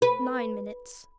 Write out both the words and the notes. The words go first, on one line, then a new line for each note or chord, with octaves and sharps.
Nine minutes.
B4